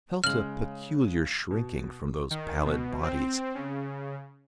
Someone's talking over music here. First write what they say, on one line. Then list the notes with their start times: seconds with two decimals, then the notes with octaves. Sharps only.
I felt a peculiar shrinking from those pallid bodies.
0.24 C#3 G#3 F6 F#7
1.51 B2
2.30 D#3
2.65 B2
3.03 C4
3.55 C#3